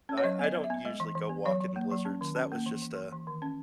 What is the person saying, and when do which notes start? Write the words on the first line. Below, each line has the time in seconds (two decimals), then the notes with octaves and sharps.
I I don't usually go walk in blizzards, that was just a
0.09 C#4
0.18 C#5
0.24 F#3 D#5
0.39 B3 D#5
0.55 B3
0.64 E5
0.70 B3
0.85 G#3 D#5
1.00 E3
1.15 E3
1.29 B3
1.45 F#3 C#5
1.60 F#3
1.76 A#3
1.91 F#3
2.05 C#4
2.21 D#3
2.36 C#4
2.52 A#3
2.66 E3
2.82 E3
2.96 E3
3.12 E3
3.27 D#3
3.42 C#4